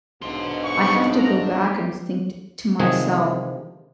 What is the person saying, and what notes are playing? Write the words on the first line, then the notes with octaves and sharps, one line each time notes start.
I have to go back and think t to myself,
B1 G#2 D4 C6
C#6
A#5
G4
C3 D#3 F3 G#3 C4 G#4